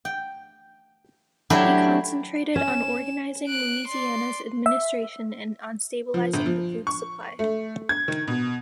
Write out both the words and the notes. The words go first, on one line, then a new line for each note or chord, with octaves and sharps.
He concentrated on organizing Louisiana's administration and on stabilizing the food supply.
G5
F#3 A3 D4 E4 G4
C#4 E7
F#6 D7
D5 C6
E5
F3
G1
F3
C#6
A3
G#6
D#3
B2